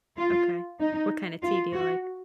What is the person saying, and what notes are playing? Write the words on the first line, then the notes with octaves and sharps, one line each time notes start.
Okay. What kinda tea do you like?
F4
D#4
F4
F#4